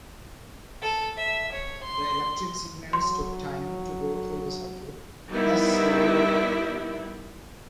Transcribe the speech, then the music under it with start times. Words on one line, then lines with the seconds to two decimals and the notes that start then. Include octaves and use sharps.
The electric signals took time to go through the circuit, thus slowing the computer.
0.82 A4
1.17 E5
1.52 C#5
1.83 C6
2.93 F#3 C6
5.32 D#3 G3 B3 E4 E5